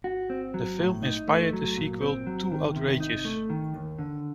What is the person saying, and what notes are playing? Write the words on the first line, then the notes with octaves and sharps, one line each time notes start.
The film inspired the sequel Too Outrageous!
F#4
C4
F#3
A2
D#4
A3
F#3
A#2
C4
F#3
D#3
C3
D#4
A3
D#3
D#2
D3